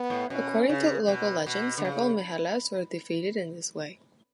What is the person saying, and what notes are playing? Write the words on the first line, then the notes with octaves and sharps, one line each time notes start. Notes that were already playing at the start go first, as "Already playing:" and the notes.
According to local legend, seven mehellas were defeated in this way.
Already playing: B3
A2
B2 C#4
C#3
B2
B2
D3
C#3